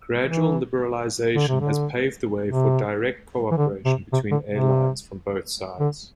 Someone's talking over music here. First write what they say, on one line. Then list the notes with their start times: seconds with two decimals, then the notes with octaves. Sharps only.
Gradual liberalization has paved the way for direct cooperation between airlines from both sides.
0.24 E3
1.34 D3
1.48 C3
1.60 D3
2.46 C3
3.51 E3
3.57 D3
3.85 C3
4.12 C3
4.31 D3
4.50 C3
5.80 D3